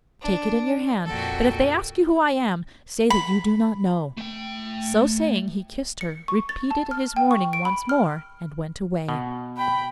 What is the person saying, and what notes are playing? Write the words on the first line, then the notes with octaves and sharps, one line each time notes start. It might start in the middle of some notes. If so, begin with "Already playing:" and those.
Take it in your hand, but if they ask you who I am, say that you do not know.' So saying, he kissed her, repeated his warning once more, and went away.
D4
F2 A#2 F#4 A4 G5
B5
A3 G5
C#7
C#6
A6
A5
F6
G5
C#6
D7
B5
F6
B2
G5 B5